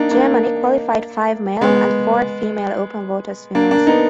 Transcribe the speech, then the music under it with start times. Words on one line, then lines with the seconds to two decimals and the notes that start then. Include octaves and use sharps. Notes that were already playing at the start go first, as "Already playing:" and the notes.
Germany qualified five male and four female open water swimmers.
Already playing: A#3 D4 D#4
0.11 A#3 D4
1.61 G#3 B3
3.55 A#3 D4
3.71 A#3 D4
3.87 B3 D#4